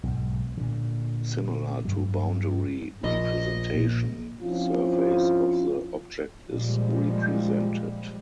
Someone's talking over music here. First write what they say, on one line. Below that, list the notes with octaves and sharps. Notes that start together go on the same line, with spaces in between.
Similar to boundary representation, the surface of the object is represented.
B1 G#2
A#2 D3
G2 F#3
A#1 D#5
A#2
F3 C4 C#4 E4 F4
A#2 F3 G3 G#3